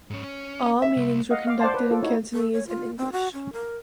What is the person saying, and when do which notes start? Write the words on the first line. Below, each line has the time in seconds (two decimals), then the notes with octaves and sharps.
All meetings were conducted in Cantonese and English.
0.10 G#2 C#4
0.23 C#4
0.82 E5
0.97 C2
1.31 D#5 F5 F#5
1.47 F5 D6
1.60 C5 D5 F5 F#5 A5 C6
1.74 B4
1.91 F4 A4 D6
2.02 D#4 E4 F#4 C#5
2.34 A4
2.52 C#5
2.67 F4
2.97 C4
3.12 F#4
3.34 C#4
3.53 A#4